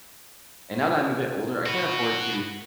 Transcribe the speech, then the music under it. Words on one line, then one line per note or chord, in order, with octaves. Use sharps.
and now that I'm a bit older, I can't afford to
F#4 B4